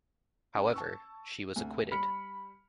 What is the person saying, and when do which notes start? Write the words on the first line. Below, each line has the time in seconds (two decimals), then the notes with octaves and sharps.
However, she was acquitted.
0.55 C#4 B4
0.73 A5 C#6 E6
1.56 D2 C3 G#5
1.91 G3 B5 F6 C#7